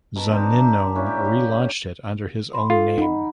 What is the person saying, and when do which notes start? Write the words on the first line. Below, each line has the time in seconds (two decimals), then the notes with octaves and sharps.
Zunino relaunched it under his own name.
0.16 B2 A#4 A5 A#5
0.31 C4 D4 D#4
0.56 D5 E5
0.95 A#3 C#4 D4 E4
1.06 G4
1.25 G4 F5
2.53 B5 C6
2.70 F4 A4
2.98 D#4 F#5 B5